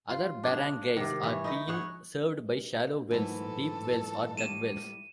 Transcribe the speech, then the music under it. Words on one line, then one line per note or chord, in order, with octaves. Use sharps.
Other barangays are being served by shallow wells, deep wells or dug wells.
F4
D4 G#4
C3 D#3
E3 C#5
D#4 E4 D#5
G#4 C#5 F#5
G#2 E3 F#3 A3 A4
A2 G3 D#7 E7